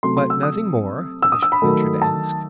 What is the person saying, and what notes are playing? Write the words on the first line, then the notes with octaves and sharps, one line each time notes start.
"But nothing more?" the Bishop ventured to ask.
C3 F#3 A3 C6
C6
E6
D#6
E6
D#6
E6
B5
D#3 F#3 A3
A5